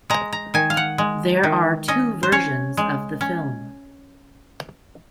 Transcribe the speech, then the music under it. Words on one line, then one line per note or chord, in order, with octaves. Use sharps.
There are two versions of the film.
G#3 A#5
A#5
D#3 G#5
F5
F#5
G#3
D#3
C#4 D#5
C5
C#4 C#5
G#3
C#4